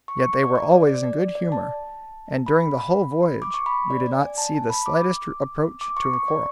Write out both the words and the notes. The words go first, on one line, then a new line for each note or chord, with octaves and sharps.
Yet they were always in good humor, and during the whole voyage we did not see the slightest approach to a quarrel.
C#6
C#6
D5
D5
D5
D5
D5
D5
A5
B5
D6
C#6
B5
D5
D5
G#5
A5
A5
B5
D6
D6
C#6
C#6
D5